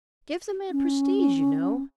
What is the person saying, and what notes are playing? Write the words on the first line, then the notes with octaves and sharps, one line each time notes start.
'Gives a man prestige, you know.
C#4